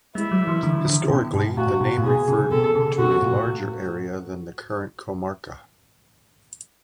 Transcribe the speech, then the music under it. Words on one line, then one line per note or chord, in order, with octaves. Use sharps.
Historically, the name referred to a larger area than the current comarca.
G#3 E4
F#3
E3
D3
D3
B2
G#2
A2 F#4
B2
A2
B2 G#4
C#3
B2 A4
C#3
B2 F#4
A2
A2